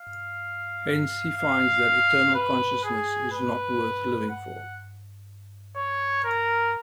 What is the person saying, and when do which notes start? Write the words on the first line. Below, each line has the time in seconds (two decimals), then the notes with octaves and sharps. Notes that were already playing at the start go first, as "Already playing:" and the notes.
Hence, he finds that eternal consciousness is not worth living for.
Already playing: F5
1.37 F5
2.35 B4
2.84 G#4
3.32 B4
4.30 F#5
5.76 C#5
6.25 A#4